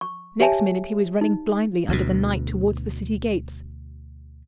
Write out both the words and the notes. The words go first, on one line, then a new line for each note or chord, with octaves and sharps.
Next minute he was running blindly under the night towards the city gates.
C#6
G4 C#5 E5 G#5 A5
D#4
D2 B2